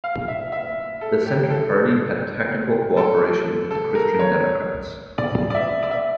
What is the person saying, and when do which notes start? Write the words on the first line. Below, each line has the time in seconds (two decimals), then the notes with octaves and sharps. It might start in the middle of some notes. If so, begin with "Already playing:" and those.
The Centre Party had a technical cooperation with the Christian Democrats.
0.04 F5
0.28 E5
0.52 E5
1.01 A4
1.26 G4
1.50 A4
2.97 A4
3.71 A4
3.95 A#4
4.19 C#5
5.18 D5
5.50 D5
5.54 E5
5.83 D5
5.91 E5